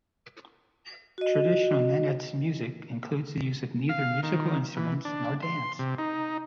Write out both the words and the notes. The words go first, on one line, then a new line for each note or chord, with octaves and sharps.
Traditional Nenets music includes the use of neither musical instruments nor dance.
F#4 D#5
F5
D#3
E3
D4
C6
C3
D#4